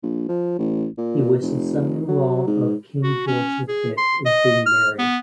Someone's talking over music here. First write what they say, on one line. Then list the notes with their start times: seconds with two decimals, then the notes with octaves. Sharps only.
He was the son-in-law of King George the Fifth and Queen Mary.
0.03 A#1
0.28 F3
0.58 A1
0.98 A#2
1.42 F1
2.08 F#3
2.46 G#2
3.03 F#4
3.27 C#4
3.68 G#4
3.98 C6
4.26 D#5
4.66 F6
4.99 B3